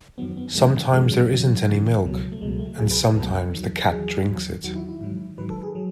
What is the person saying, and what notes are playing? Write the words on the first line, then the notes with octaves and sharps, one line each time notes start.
Sometimes there isn't any milk, and sometimes the cat drinks it.
F#2 D#3 F#3 B3
B3
F#2 C#3 E3 G#3
F#2 C#3 E3 G#3
F#3
F#2 C#3 E3 F#3
F#2 C#3 E3
C#2 B2 F#3
A3
C#2 B2 F#3 G#3
A3
C#2 B2 F#3 G#4
B4
A4
C#2 B2 F#3 A4
E2 D#3 F#3
E2 D#3 F#3 G#4
E2 D#3 F#3
E2 D#3 F#3 F#4
E4
E4
G#2 D#3 F#3
G#2 D#3 F#3 B4
A4
G#4
F#3